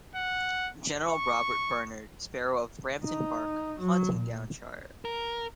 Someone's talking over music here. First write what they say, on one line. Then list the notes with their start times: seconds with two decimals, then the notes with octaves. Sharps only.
General Robert Bernard Sparrow of Brampton Park, Huntingdonshire.
0.15 F#5
1.05 C#6
3.04 D#4
3.80 F#3
4.13 A#2
5.05 A#4